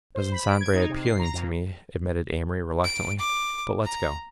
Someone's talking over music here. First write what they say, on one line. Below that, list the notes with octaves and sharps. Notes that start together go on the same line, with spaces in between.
"Doesn't sound very appealing to me," admitted Amory reluctantly, "but let's go."
C5
B5
D7
G#6
D#4
C3
C7
A#5
F2
D7
D6
A#5